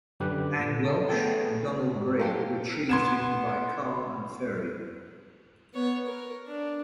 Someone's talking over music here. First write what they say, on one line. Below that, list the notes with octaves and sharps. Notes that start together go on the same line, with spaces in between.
Ann Welch and Donald Greig retrieved him by car and ferry.
F#2 D3 G4 B4 D6 F#6
A#2
A4 A#4
A3 B3 G#4 A4 G5
G#2 G3
F#3 G4 A#4 F5 G5 A5
B3 C6 G#6 E7
B3 C#5
A#4
D4